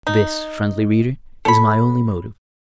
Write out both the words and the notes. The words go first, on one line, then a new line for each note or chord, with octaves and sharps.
This, friendly reader, is my only motive.
D#4
A4 C#5 B5